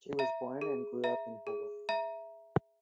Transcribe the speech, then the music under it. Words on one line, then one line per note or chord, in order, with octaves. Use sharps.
She was born and grew up in Hawaii.
E5 A#5
G#4
E5 A#5
G#4
E5 A#5